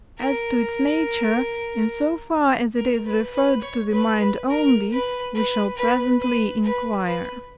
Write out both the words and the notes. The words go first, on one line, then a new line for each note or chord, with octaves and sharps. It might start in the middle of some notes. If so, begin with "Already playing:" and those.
As to its nature, in so far as it is referred to the mind only, we shall presently inquire.
A#4
A#4
B4
B4
C#5
B4
B4
A#4
B4
B4
B4
B4
B4
B4